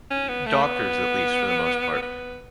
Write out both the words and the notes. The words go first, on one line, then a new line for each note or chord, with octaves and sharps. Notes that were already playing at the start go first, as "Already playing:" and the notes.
e doctors, at least for the most part,
C#4
B3
A3
B3
B3